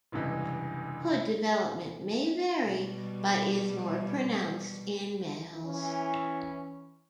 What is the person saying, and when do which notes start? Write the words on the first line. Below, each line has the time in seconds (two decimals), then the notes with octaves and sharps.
Hood development may vary but is more pronounced in males.
0.12 F1 C#2 G2 C3 E3 D#5
2.66 B2 G3
5.67 E3 C#4